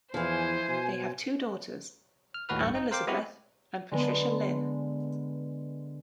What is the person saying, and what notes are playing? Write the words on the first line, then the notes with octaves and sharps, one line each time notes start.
They have two daughters, Anne Elizabeth and Patricia Lynn.
E2 E3 F3 C5 G#5 G#6
B2
F6
D#2 A2 F#4 B4 F6
A1 G2 C#6
D#4
A#4 C5 F5 G5 D6
G#3 B3 C4 E4 F#4 G4
D3 G#3 B3